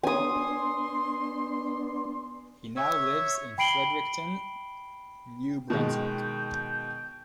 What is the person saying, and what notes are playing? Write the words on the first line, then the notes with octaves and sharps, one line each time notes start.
He now lives in Fredericton, New Brunswick.
B3 D4 G#5 C6 D#6
C#5 E5
G5 B5 C7 D7 F#7 G7
B2 D#3 G#3 G5